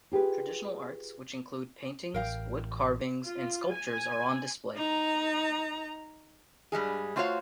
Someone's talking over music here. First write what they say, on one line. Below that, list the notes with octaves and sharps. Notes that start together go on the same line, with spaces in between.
Traditional arts which include paintings, wood carvings, and sculptures are on display.
F4 G4 G#4 B4
A1 A#4 F5 G5
F4
G#5
D#4 A#5
G2 G3 G#3 G#4
A3 F4 F#4 C5 C#5 F5